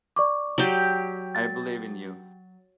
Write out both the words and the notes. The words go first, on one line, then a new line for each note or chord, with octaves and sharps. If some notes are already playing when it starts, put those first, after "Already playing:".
I believe in you.
D5 C#6 D6
F#3 G4
A6